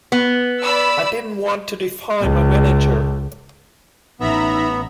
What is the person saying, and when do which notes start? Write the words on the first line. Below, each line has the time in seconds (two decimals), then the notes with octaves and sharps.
I didn't want to defy my manager.
0.12 B3
0.62 D5 B5 E6
2.21 C#2
4.20 A1 B3 D#4 E5 A#5 B5